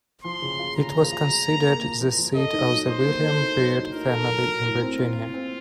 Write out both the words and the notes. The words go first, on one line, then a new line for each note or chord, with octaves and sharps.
It was considered the seat of the William Byrd family in Virginia.
F3 C6
C#3
F4
C#3 A#5
F3
F4
F4
A#3
A#3
F4
F3
F3
A4 D#5
D#4
F#3
F#3 C5
A#3
A4
D#4
F#3
D#4
D#4 A#4
A4
F#3
F#3
A2
C4
A2 F4
A2
C4